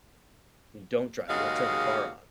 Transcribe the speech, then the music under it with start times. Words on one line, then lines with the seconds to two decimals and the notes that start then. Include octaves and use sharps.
and you don't drive, you don't turn the car on.
1.28 D#2 C#3 G#3 F#4 D#5 F5